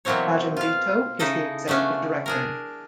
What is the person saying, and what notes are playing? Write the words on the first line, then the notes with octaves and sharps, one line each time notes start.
Adam Leto is the executive director.
B2 E3 F#3 A#3 C4 C#5
F4 F5
C#3 D#4 E4 A4 D#5
C#3 A3 B3 C#4 D4
D4 G#4 A#4